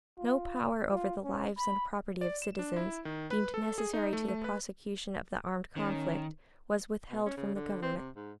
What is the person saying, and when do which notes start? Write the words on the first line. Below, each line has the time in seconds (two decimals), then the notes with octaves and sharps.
No power over the lives and property of citizens, deemed necessary to the prosecution of the armed conflict, was withheld from the government.
0.18 F4
0.92 F4
1.24 C#4
1.58 B5
2.21 D5
2.42 E7
2.59 D4
2.76 E4
3.05 D#3
3.31 B4
3.54 A4
3.78 G#4
3.93 D#4
4.13 A3
4.28 A3
4.44 B4
5.76 D#3 C#4
7.11 B2
7.26 C#4
7.37 C#3
7.55 D3
7.82 C4
7.97 C3
8.16 G#2